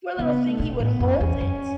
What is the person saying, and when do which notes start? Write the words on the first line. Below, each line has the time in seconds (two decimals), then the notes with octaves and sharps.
Poor little thing, he would hold it.
0.18 C#3 B3
0.49 A3
0.59 B2
0.80 A2 B3
1.00 F#2
1.10 C#4
1.20 E2
1.41 F#2